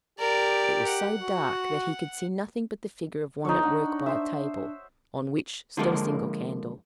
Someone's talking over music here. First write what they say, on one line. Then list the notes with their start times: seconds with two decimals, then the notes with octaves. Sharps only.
It was so dark that he could see nothing but the figure of one at work by a table, on which stood a single candle.
0.19 G4 A#4 D5
0.88 F#5
1.22 F#4
3.45 F3 D#4 C#5
3.63 D4 F#5
4.06 C5 E5
5.77 D3 F3 G#3 A#3